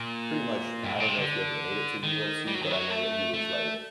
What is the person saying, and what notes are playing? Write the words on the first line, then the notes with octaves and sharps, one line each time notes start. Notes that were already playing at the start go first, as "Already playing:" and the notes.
pretty much I don't know if he ever made it to the UFC, but I know that he was, like,
Already playing: A#2
G2
A2
A#2
C3
D3
D#3
G3
F#3
D#3
F#3
A3
A3